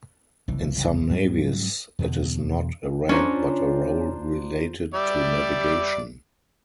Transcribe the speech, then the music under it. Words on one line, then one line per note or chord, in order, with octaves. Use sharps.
In some navies, it is not a rank but a role related to navigation.
F#1 C2 E3
G#2 F#3 G3 C#4
E2 B2 D3
C#4 D4 F4 C5 A#5
G3 D5 E5